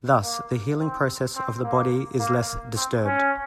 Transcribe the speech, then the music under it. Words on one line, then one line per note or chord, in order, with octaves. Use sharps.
Thus, the healing process of the body is less disturbed.
A#3
C4
C4
A#3
A#3
C4
C#4